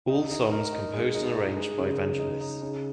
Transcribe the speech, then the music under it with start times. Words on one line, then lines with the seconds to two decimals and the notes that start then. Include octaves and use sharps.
All songs composed and arranged by Vangelis.
0.10 D#4
0.31 D#4
0.52 A#4
0.73 D#4
0.94 G#3
1.15 D#4
1.36 D#4
1.57 G#3
1.78 C#3
1.98 C#3
2.20 D#4
2.41 D#4
2.62 C#3